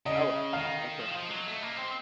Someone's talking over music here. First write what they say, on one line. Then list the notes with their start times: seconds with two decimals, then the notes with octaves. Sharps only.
Oh, wow. Okay, yeah.
0.06 C#3 D#5
0.53 D#3 F5
1.00 F3
1.10 D#3
1.15 F3
1.30 F#3
1.47 A3
1.62 A#3
1.77 C4